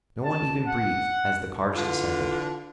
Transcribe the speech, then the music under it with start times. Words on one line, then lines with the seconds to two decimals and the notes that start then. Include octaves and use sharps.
No one even breathed as the cards descended.
0.24 A5
0.67 F#5
1.76 D3 E3 F4